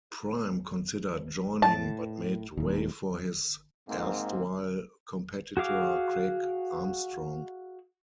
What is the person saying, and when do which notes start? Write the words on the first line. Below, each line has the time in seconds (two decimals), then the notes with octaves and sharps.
Prime considered joining but made way for his erstwhile competitor Craig Armstrong.
1.62 A2 A5
2.57 D#1 D#2
3.89 G#2 A#3 C4
5.57 F#4 G#4 F5 D6